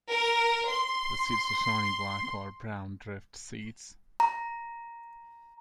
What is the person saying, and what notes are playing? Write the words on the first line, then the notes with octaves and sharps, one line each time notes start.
The seeds are shiny black or brown drift seeds.
A#4
C6
A#5